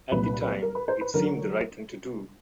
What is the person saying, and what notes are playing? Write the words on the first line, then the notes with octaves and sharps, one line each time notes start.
At the time, it seemed the right thing to do.
C2 A#2 F#3 B4
A#4
B4
C5
B4
D3 F#3 A#4